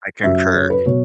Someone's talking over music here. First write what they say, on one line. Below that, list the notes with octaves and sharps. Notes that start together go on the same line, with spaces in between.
I concur.
F#2 F#3 E5
C#5
B4
B2 F#3 C#5